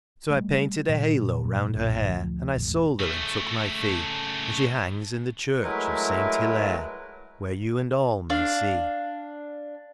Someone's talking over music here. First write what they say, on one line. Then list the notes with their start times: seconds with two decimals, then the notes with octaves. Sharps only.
So I painted a halo round her hair, And I sold her, and took my fee, And she hangs in the church of Saint Hilaire, Where you and all may see.
0.30 G3 A3
0.89 A#2 D3 F#3
1.44 F#1 A#2 F#3
1.75 A#1 F#2 C#3
2.05 D2 F3
2.56 E1 A1 D2
3.00 C#3 A3
5.61 F#3 G#3 A3 E4 A#4 B4
8.30 D4 F5